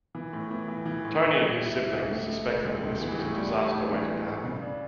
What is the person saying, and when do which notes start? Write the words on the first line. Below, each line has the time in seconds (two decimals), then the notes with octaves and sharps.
Tony and his siblings suspected that this was a disaster waiting to happen.
0.15 E3
0.33 A2
0.51 E3
0.68 E3
0.86 E3
1.05 A2
1.22 A2
1.40 G3
1.58 E4
1.75 E4
1.93 C#2
2.11 A3
2.29 C#2
2.47 A3
2.65 C#2
2.84 C#2
3.01 E3
3.19 A2
3.36 G3
3.54 A2
3.72 A2
3.90 E3
4.08 A2
4.26 A2
4.44 C#3
4.62 D4